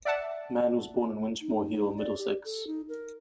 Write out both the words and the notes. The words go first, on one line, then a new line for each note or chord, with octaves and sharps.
Mann was born in Winchmore Hill, Middlesex.
D5 E5 F#5 A5
D#4
D5
G4
A4
D#4
A#4